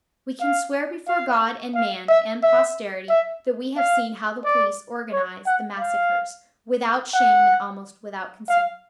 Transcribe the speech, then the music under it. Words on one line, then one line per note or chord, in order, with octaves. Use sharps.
We can swear before God and man and posterity that we have seen how the police organise the massacres, without shame and almost without concealment.
F5
F5
F5
E5
E5
E5
F5
D5
C#5
F#5
F5
F#5
F5